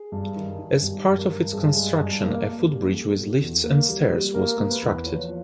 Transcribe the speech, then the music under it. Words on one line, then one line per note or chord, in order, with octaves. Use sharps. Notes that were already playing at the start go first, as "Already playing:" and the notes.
As part of its construction, a footbridge with lifts and stairs was constructed.
Already playing: G#4
G2
D#3
D#3
G2 G4
G2
A#4
G2
G2 G#4
G#3
G2
A#3
A#3
G3
G3 A4
B2
E2
A#3
G3
G3
A#3 A#4
A#3
B4
E2
F3 C#5
F3